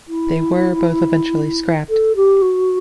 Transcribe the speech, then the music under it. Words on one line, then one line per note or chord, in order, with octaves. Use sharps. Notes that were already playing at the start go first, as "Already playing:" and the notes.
They were both eventually scrapped.
E4
A4
G4
F#4